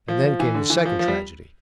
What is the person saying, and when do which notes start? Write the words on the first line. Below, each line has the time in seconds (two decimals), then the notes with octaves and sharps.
And then came the second tragedy.
0.08 F3
0.24 F3
0.40 E3
0.54 D3
0.70 E3
0.85 F3
0.99 F3
1.08 G3